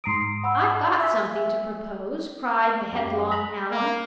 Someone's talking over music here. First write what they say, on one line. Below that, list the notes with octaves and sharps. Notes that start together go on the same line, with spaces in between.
"I've got something to propose," cried the headlong Allan.
G#2 A#5 C6 D#6 C7 D7
F#5 B5 E6
E5 G#5 E6 B6
F#2 G4
A#5 B5
A#3